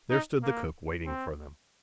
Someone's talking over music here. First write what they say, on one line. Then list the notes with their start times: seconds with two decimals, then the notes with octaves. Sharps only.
There stood the cook waiting for them.
0.11 D#4
0.43 A#3
1.06 C4